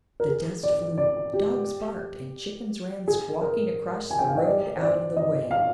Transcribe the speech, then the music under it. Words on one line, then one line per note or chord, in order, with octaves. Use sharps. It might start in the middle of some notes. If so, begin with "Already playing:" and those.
The dust flew, dogs barked, and chickens ran squawking across the road out of the way.
A#4
G#4
D5
D5
G4
G#4
A#4
G#5
G5
F5
D#5
D5
C5
D5
D#5
F5